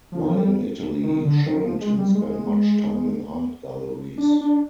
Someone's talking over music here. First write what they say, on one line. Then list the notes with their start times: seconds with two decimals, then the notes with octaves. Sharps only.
While in Italy, Sherrington spent much time in art galleries.
0.12 F3
0.21 D#3
0.28 F3
0.35 G3
1.03 D#3
1.25 D3
1.47 D#3
1.64 F3
1.81 G#3
1.98 G3
2.15 G#3
4.18 D4
4.41 D4